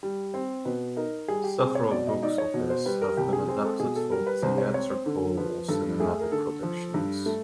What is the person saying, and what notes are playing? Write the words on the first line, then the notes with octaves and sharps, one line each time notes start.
Several books of his have been adapted for theatrical or cinematic productions.
G3
C4
B2 B4
D#4 A#4
G3 G#4
G4
C4 G#4
C#5
B2 D5
D#5
D#4 D5
C#5
B2
C5
G3 B4
A#4
C2 G4
G#4
C4 G#4
A4
B2 G#4
A4
G3 A#4
B4
C2 C5
C#5
C4 C#5
C5
D3
F3 B4
G2 A4
A3 G#4
A#4
D3 A4
F3
G2
A3